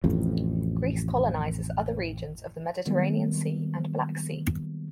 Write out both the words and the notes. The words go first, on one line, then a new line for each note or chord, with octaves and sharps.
Greece colonizes other regions of the Mediterranean Sea and Black Sea.
A1 F2
D#3 F#3 G3 A#3 B3